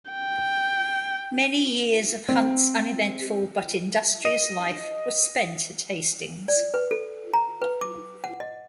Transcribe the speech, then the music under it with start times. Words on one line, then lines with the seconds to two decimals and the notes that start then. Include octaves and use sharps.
Many years of Hunt's uneventful but industrious life were spent at Hastings.
0.11 G5
2.29 C4
4.25 D#5 D#7
6.48 D5
6.74 B4
6.91 A4
7.33 A#5
7.62 B4
7.81 D6
8.24 F#5
8.40 D#5